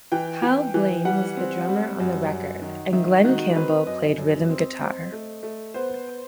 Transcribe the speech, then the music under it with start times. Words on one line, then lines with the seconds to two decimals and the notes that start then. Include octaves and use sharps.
Hal Blaine was the drummer on the record and Glen Campbell played rhythm guitar.
0.12 E3 G5
0.42 E3
0.74 E3
1.05 G3 F#5
1.37 C4
1.68 G3
2.00 F#2
2.30 F#2
2.62 D#3
2.93 D#3 E5
3.24 D#3 F#4
3.55 C4 B4
3.87 F#2 D#5
4.18 F#2
4.49 C4
4.81 C4
5.12 A3
5.43 A3
5.74 B3 C5